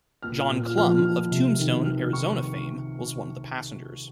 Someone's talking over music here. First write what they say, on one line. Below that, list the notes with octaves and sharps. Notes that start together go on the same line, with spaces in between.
John Clum, of Tombstone, Arizona fame was one of the passengers.
A#2 F6
A#2 F6
F3 F6
F3
C3
D#3
D#3 F6
D#3 C#6